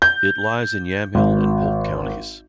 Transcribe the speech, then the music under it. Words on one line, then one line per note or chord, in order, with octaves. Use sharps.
It lies in Yamhill and Polk Counties.
G6
G#1